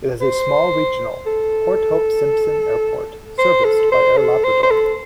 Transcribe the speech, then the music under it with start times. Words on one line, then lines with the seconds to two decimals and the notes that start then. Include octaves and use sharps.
It has a small regional Port Hope Simpson Airport serviced by Air Labrador.
0.21 C5
1.26 A4
3.38 C5
3.64 A4
3.92 C5
4.17 A4
4.44 C5
4.63 C5
4.71 A4